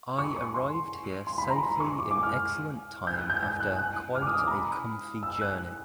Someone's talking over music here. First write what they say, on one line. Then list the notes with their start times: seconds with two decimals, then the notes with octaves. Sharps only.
I arrived here safely in excellent time after quite a comfy journey.
0.18 C#6
0.36 C#6
0.54 C6
1.27 C6
1.38 B5
1.50 A#5
1.63 C6
1.80 C#6
1.99 D6
2.11 D6
2.23 F6
3.07 G6
3.18 F#6
3.30 G6
3.43 G6
3.60 F#6
3.79 F#6
4.15 F6
4.22 D6
4.27 D#6
4.39 D6
4.47 A#5
4.51 B5
5.23 E6
5.41 F#6